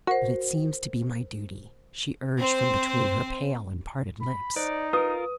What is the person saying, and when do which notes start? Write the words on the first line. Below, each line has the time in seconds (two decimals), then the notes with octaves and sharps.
"But it seems to be my duty," she urged from between her pale and parted lips.
0.07 F#4 A#4 C5
2.38 C4 C5
4.22 B5
4.56 D#4 C5 D5
4.93 F4 A#4 B4 D#6